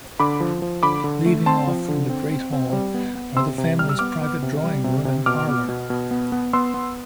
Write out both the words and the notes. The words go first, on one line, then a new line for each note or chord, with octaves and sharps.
Leading off from the Great Hall are the family's private Drawing Room and Parlour.
D3 B5 D6
F3
F3
D3 B5 D6
D3
A3
C4 A5 C6
F3
D3
C4
C4
C4
G3
B3
B3
C3 C6 E6
C3
G3 F6
E6
B3 D6 F6
B3
C3
G3
C3
C3
B2 D6 F6
B3
B2
B2
B3
B3
B3 C6 E6
B3